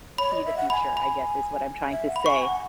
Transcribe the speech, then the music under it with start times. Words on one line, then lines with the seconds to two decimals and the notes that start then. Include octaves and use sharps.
see the future, I guess is what I'm trying to say.
0.18 C#5 B5
0.32 D#5
0.45 E5
0.57 F#5
0.70 G#5 B5
0.97 B5
1.91 E5
2.09 F#5
2.16 B5
2.26 G#5 C#6
2.43 F#5